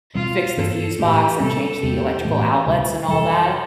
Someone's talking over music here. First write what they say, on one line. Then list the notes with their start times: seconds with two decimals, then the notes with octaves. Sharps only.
fix the fuse box, and change the electrical outlets, and all that,
0.15 B2 G3 C4 F4
0.57 G2 E3 B3 A4
0.99 A2 E3 A3 D4 G4
1.40 C3 G3 C4 A4
1.83 E2 C3 G3 D4 G4
2.25 A2 E3 A3
2.66 D2 C3 G3
3.08 F2 C3 E3 G3 A4